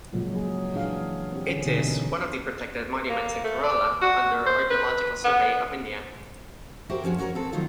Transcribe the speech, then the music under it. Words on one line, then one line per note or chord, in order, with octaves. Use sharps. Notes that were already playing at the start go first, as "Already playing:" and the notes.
It is one of the protected monuments in Kerala under Archaeological Survey of India.
A#2 C#3 F3 F#3 G#3
F#3 G#4
A#2 E3 D4 G#4 F5
C4 G4
D3 C#4 G#4
B2 D3 E3 D#4
A#3
A3
D5
F#4
C5
B4
B3
F#4 G4 A#4 C5 E5
F3 C#4 D4 F#4 G#4
C#4 F#4 A#4 C5 C#5
C4 A4
D#3 F#3 A3 D#4 F4